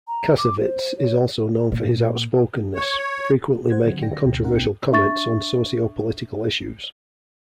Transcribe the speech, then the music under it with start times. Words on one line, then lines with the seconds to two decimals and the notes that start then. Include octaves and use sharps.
Kassovitz is also known for his outspokenness, frequently making controversial comments on socio-political issues.
0.08 A#5
0.38 D6
0.59 C5
0.98 C#5
1.72 A#2
2.75 C#5
3.70 C5 F#5 G#6
3.85 D3 D#3 F#3 C4
4.01 D3 D4 G5 A#6
4.25 D2 B2
4.42 C4 C#4 D#4 F4 A#4 F#5
4.54 B1 B2 A3 B3 G5 C#7
4.92 D4 E5 C#6 A6